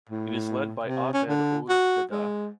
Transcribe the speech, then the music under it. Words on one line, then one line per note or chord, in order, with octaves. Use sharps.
It is led by Ahmed Ould Daddah.
A2
C3
C#4
D3
F#4
G#3